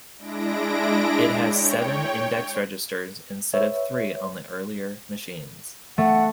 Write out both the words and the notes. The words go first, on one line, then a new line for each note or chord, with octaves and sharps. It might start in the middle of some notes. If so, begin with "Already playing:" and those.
It has seven index registers, instead of three on the earlier machines.
G#3 D4 E4 A#6 D7
C#5 G5
B4 C#5 E5
A3 F#5